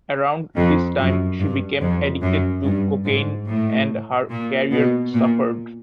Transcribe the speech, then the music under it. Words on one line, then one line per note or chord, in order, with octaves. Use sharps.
Around this time she became addicted to cocaine and her career suffered.
F2
F#2
G2
F2
F#2
G2
G#2
A2
A#2
B2
A#2